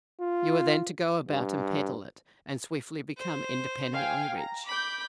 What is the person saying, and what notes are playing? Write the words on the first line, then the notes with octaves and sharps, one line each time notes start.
You are then to go about and peddle it, and swiftly become independently rich.
F4
G2
C5
F5 G5 G#5
A#5
B5 D6 G6